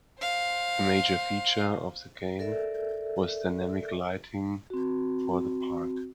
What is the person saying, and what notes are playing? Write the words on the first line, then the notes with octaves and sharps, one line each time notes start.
A major feature for the game was dynamic lighting for the park.
C5 F5
A4 A#4 D5 E5
C4 F#4